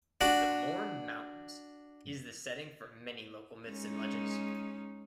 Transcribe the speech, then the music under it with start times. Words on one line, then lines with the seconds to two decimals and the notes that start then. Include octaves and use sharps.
The Mourne Mountains is the setting for many local myths and legends.
0.21 D4 F#4
3.68 G#3 C#4 D#4